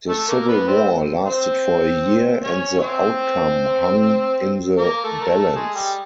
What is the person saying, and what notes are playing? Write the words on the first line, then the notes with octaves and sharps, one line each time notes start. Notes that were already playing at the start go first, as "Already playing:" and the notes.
The civil war lasted for a year and the outcome hung in the balance.
A3 A4
A#3 A#4
B3 B4
C4 C5
C4 C5
C#4 C#5
C#5
C4 C5
A#3 A#4
A3 A4
A#4
A3 A4
G#3 G#4
G3 G4